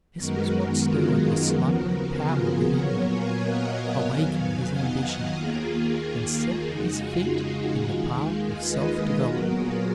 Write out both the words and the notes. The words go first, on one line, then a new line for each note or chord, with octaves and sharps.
This was what stirred the slumbering power within him, awakened his ambition, and set his feet in the path of self-development.
F#2 D#3 G#3 B3 F#4 A#4
F#4 A#4
F4 G#4
F4 G#4
D#2 C#3 F3 B3 F#4 A#4
F#4 A#4
F4 G#4
A#2 F#3 B3 A#4 C#5
F5 G#5
D#5 F#5
F5 G#5
F2 D#3 F#3 B3
D#5 F#5
D#5 F#5
D#2 D#3 A#3 F4 G#4
F2 C#3 G#3 D#4 F#4
F4 G#4
F4 G#4
D#2 D#3 G#3
B4 D#5
G#4 B4
A#2 F#3 B3 F#4 A#4
F4 G#4